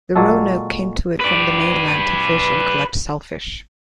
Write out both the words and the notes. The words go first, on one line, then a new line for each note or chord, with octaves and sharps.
The Roanoke came to it from the mainland to fish and collect shellfish.
A#2 F#3 G#3 A4
B4 D5